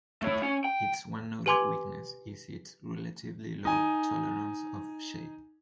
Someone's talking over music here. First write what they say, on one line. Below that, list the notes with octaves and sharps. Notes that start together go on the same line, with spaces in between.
Its one noted weakness is its relatively low tolerance of shade.
A3 C#5
C#4
G5
G4 B4 G#5 C6 D6 G#6
D#4 G#5